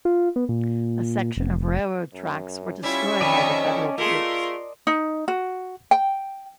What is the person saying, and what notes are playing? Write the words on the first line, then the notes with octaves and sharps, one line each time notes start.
A section of railroad tracks were destroyed by the Federal troops.
F4
B3
A#2
F1
F#2
G3 C#4 E4 F4 E5 C#6
F2 D#3 D5 D#5 A5
A3 F4 G#4 A#4 C6
D#4
F#4
G5